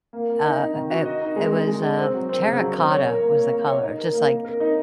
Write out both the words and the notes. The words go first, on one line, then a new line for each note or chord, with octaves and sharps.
uh uh uh, it it was, uh terracotta was the color, just, like,
A#3
A#3
D#4
D#4
D#3
F#4
D#5
D#4
G#3
G#3
G#3
D#5
C4
F#3
C4
C#3
F#3
C4
C#5
A#4
A#3
A#3
A#3
C#5
D#4
A#4
A#3
A#3
A#4
D#4